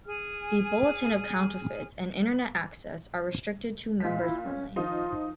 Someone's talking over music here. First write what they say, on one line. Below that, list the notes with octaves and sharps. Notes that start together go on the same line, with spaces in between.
The Bulletin of Counterfeits and Internet-access are restricted to members only.
G#4 G#5 F6
A#2 G#3 B6
E4
C#4
D#3 F3 D#4 F4